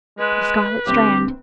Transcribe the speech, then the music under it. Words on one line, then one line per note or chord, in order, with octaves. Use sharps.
'The scarlet strand!
G#3 B4
D2 C4 G4 E5